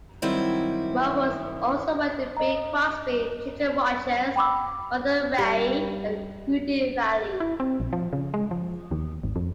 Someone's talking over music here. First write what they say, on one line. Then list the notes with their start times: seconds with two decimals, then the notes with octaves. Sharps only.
Morros also worked with Bing Crosby, Ginger Rogers, Martha Raye, and Rudy Vallee.
0.22 D#3 F#3 G3 C4 E4
2.37 D#5 A#5
4.36 G5 B5 D6 E6
5.38 G3
7.40 E4
7.60 C4
7.80 A#1
7.93 F3
8.13 C#3
8.34 G#3
8.51 F3
8.91 D#2
9.23 G#1
9.36 F2